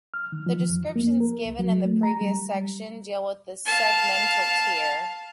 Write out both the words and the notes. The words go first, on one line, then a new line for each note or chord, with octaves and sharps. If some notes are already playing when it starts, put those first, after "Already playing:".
The descriptions given in the previous section deal with the segmental tier.
F6
D#3
F3
F2
A#3
A#4
C2
F#3
A3
A#5
G3
F5 A5